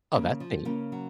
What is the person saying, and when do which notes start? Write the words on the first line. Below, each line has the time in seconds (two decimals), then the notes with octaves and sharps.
Oh, that's neat.
0.14 C#3 A#3
0.40 F3
0.65 C#3 A#3 C#4
0.92 F#3